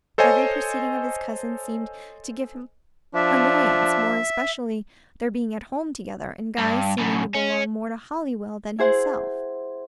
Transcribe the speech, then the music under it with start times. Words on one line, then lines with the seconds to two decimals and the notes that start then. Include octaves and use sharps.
Every proceeding of his cousins seemed to give him annoyance, more especially their being at home together, and Guy's seeming to belong more to Hollywell than himself.
0.18 A4 C5 C#5 D#5 G#5
3.15 F3 D4 E5
6.59 G2
6.99 F#2 A2
7.35 C#4
8.78 E4 G#4 C5 F#5